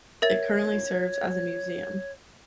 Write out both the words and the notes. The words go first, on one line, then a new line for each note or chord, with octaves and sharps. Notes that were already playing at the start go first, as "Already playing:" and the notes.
It currently serves as a museum.
A#4 C#5 E5 A6